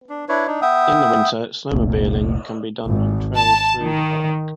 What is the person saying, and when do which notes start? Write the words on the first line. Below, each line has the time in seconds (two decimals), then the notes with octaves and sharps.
In the winter, snowmobiling can be done on trails through the park.
0.09 D4
0.29 D4 E4 B4 C#5
0.47 D4 D#4
0.62 B3 E5 G5 D#6
1.72 F1 C2 A#2 A3
2.86 G#1
3.36 A5
3.81 D#3